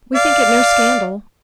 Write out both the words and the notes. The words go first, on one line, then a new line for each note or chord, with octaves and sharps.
We think it no scandal.
D5 F5